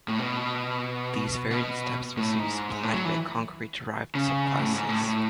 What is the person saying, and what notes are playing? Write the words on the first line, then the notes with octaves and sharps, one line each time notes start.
These variant steps must be supplied by concrete derived subclasses.
A2
B2
B2
A2
G#2
A2
F#3
E3
C#3
A2
G#2
A2
A2